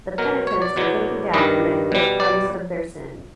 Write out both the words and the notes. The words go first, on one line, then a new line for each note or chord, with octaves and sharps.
The penitents are taken down when they feel cleansed of their sin.
B2 F#3 A#4
C#5
D5
E2 B2 F#3
G2 D#3 G3 D#5
B2 G3
D5